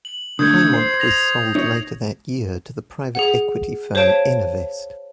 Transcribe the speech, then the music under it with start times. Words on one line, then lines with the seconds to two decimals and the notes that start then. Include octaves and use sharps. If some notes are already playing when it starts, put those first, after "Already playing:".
HighMont was sold later that year to the private equity firm EnerVest.
0.05 F#7
0.39 D3 A3 D#6 G6 G#6
0.73 C5 C7
1.00 A#6 F7
1.55 D#4 C#5
3.15 G#4 F#5
3.95 C5 C#5 F5 A5 D7